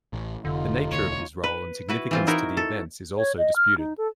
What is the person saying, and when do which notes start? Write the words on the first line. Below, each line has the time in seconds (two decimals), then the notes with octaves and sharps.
The nature of his role and significance to the events is also disputed.
0.13 A1
0.45 F1 D3 D#4 F4
0.91 E1 D2 C#5
1.44 B4
1.89 E4 F#4 B4
2.11 E3 C4 F4
2.27 D#4 E4 F#4 A#4
2.57 A4
3.17 C#5
3.38 D#5
3.56 F6
3.78 D#4
3.98 A4